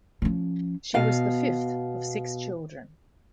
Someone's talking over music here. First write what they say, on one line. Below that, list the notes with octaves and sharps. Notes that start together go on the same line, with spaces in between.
She was the fifth of six children.
F3 C#4
B2 F5